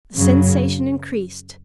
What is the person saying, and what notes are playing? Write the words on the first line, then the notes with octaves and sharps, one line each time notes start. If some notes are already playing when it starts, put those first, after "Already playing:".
The sensation increased.
F#2 C#3 F#3